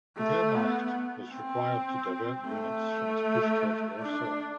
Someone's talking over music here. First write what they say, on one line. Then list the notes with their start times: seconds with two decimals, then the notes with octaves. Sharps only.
The Wehrmacht was required to divert units from its push towards Warsaw.
0.17 A3
0.55 B3
1.32 C4
2.47 A3
4.01 D4